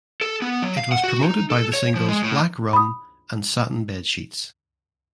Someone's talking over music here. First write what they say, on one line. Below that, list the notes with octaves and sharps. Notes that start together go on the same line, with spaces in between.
It was promoted by the singles "Black Rum" and "Satin Bedsheets".
A4
B3
F#3
F5
F#5
F#4
D#4
A4
C#5
F3
G#3
A2
B5 D#6